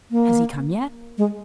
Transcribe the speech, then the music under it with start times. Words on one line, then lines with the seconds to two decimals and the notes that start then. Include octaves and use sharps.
"Has he come yet?"
0.11 A#3
1.18 G#3